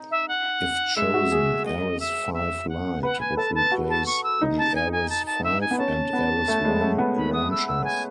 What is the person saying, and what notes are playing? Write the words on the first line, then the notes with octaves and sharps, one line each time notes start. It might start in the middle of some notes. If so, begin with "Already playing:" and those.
If chosen, Ares Five Lite would replace the Ares Five and Ares One launchers.
Already playing: D#4
E5
F#5
G#3 E5
F#4
G#4
D#5
E5
E5
F#5
B4 F#5
G#5
A4 A5
A5
F#4
A5
C#6
E6
D#4
A5
G#5
G#5
A5
A5
E5
G#5
B3
C#4 A5
B3
A3
G#3
A3
B3
B5
D#6
E6
E6
G#5